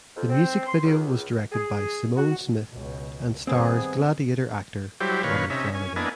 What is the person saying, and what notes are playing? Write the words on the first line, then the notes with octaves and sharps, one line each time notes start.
The music video was directed by Simone Smith and stars "Gladiator" actor Tommy Flanagan.
F2
C4
C6
C#2
G#4
F#4
C#2 B2
G2 D#3 B3 C4 G#4
F#3 G3 E4 G4 C5
A#2 D#3 B4 C#5 F5
C3 C#4 D#4 E5
C#4 G#5
A#3 B3 D4 E4 D#5 G#5